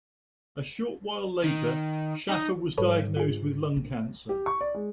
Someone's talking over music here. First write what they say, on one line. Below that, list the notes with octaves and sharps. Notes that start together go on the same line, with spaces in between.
A short while later, Shaffer was diagnosed with lung cancer.
D#3
D#4
G#2 G3 A4 B4 C#5
F4 G#4
A#1 D4
G4
C#6
D5
G#3